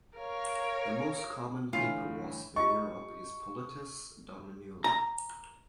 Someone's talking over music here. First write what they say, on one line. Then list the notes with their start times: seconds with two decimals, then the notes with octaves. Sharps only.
The most common paper wasp in Europe is "Polistes dominula".
0.17 A#4 C#5 F5
1.73 A2 D3 E3 F4
2.56 F4 G4 D#5 C#6
4.84 A#5